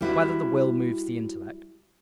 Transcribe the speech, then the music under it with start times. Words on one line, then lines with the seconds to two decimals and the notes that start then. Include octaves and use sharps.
Whether the Will Moves the Intellect?
0.01 G3 E4 F#4